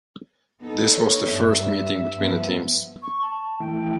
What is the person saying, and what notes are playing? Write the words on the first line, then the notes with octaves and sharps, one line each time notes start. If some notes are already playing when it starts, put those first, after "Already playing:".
This was the first meeting between the teams.
B3 D#4 A4
C#5
G2 E5
G2 F3 B3
C#6
A5
E3 A3 E4 G5